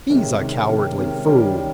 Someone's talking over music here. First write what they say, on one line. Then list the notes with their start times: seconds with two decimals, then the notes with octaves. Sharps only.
"He's a cowardly fool!"
0.10 C3 D#3 G#3 C#4
0.39 C3 D#3 G#3 C#4
0.68 C3 D#3 G#3 C#4
0.98 C3 D#3 G#3 C#4
1.27 D#3 G3 C#4
1.57 D#3